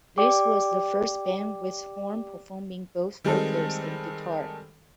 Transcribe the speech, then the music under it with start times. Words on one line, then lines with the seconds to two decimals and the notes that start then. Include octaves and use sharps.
This was the first band with Horne performing both vocals and guitar.
0.18 G4 D5 G5 D6
3.25 D#3 G3 G#3 C4 D#4 A4